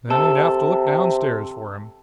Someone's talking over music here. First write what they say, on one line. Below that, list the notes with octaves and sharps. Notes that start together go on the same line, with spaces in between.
Then he'd have to look downstairs for him.
C3 A4